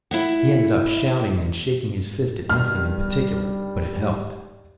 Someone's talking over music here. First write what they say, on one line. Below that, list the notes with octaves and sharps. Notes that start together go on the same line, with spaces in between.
He ended up shouting and shaking his fist at nothing in particular, but it helped.
E4 E5 F#5
G2 D#3 G3 F6